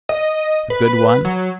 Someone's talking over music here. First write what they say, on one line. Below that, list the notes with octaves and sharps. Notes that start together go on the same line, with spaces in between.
A good one?
D#5
B4
F#3